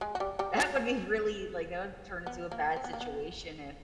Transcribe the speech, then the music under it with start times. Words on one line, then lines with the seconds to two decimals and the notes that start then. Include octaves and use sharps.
that would be really, like, that would turn into a bad situation if
0.01 G#3 G#4
0.15 F#4
0.20 G3 G4
0.39 G3 G4
0.57 F#3 F#4
0.76 C#3 C#4
2.26 B3
2.51 A#3
2.76 C4
2.84 B3
2.93 A#3
3.01 B3